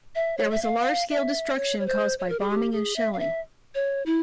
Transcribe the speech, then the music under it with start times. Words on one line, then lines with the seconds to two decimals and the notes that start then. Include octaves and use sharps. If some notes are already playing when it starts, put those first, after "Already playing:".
There was a large-scale destruction caused by bombing and shelling.
0.15 E5
0.38 C#5
0.51 E5
0.62 F5
1.10 E5
1.56 C#5
1.79 C#5
1.87 C5
2.19 C#5
2.29 A#4
2.40 G#4
2.50 G4
2.73 G#4
2.96 E5
3.13 F5
3.19 E5
3.75 C#5
4.06 E4